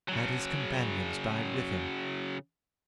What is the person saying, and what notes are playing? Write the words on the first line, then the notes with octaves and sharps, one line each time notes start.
Had his companions died with him?
C#3 F#3